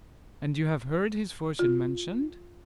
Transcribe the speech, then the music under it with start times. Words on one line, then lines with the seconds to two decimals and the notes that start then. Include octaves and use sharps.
"And you have heard his fortune mentioned?"
1.59 F4